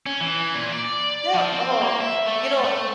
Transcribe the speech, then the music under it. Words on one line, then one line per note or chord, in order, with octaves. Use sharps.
the oh, you know,
C#4
E3
A#2
D5
F3
C4
A#3
E5
A3
A3